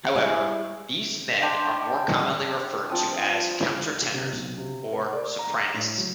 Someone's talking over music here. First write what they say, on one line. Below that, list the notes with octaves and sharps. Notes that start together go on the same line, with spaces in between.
However, these men are more commonly referred to as countertenors or sopranists.
G3 G#3 E4 G#4 C#5 D5
D4 G5 C6
F3 C4 A5 D#6
F4
C3
B1
C3
A#4
D5
A#5
A2
F#3